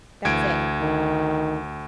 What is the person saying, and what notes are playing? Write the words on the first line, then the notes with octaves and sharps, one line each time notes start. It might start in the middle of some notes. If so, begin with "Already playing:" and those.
that's it.
D2 E3 G#6 D7
D#3